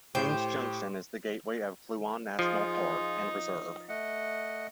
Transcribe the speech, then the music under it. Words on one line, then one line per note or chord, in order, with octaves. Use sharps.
Haines Junction is the gateway to Kluane National Park and Reserve.
A2 G4 C5 G5
F3 D#4 F4 G#4
A3 D#5 F#5